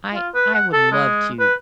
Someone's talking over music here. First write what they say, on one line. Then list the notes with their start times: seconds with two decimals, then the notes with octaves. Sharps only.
I I would love to,
0.14 F4
0.34 B4
0.54 F#5
0.73 A4
0.92 G#3
1.39 B4